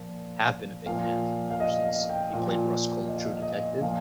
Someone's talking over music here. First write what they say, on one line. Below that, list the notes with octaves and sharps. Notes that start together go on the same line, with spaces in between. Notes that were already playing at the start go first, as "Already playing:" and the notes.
have been a big fan of him ever since he played Rust Cohle in True Detective,
Already playing: A#2 F3
A#2 F3 F5
F5
D#5
F5
G5
A#2 F3
D#5
F5
D#5
F5
D#5
A#2 F3 F5